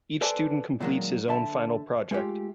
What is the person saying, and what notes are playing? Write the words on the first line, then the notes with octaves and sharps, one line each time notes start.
Each student completes his own final project.
A4 B4 C5 D5 G#5 A5
A#2 D#3 F#3 G#3 A#3
D3 E5 A5
G#3 A3 F4 G4